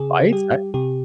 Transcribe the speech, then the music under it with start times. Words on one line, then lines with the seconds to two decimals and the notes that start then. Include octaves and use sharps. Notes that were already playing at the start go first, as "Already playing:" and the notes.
Fights? I
Already playing: C#3 G#4
0.32 G3 G4
0.74 C3 G4